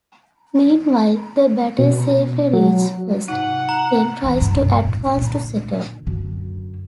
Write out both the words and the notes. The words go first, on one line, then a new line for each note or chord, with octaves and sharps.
Meanwhile, the batter safely reaches first, then tries to advance to second.
B2
F#3
G#2 C3 D#4 F#5
A#5
G#1 E3
C2 G2
G2 B2
A2
A#2 D3
F#2 D3